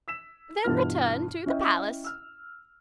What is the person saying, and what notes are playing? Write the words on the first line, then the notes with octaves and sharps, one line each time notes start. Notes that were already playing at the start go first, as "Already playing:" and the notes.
"Then return to the Palace."
E6 B6 E7
G2 B2 E3 F4 F6
C#4 E4 D#5 E5 G5
E6 F6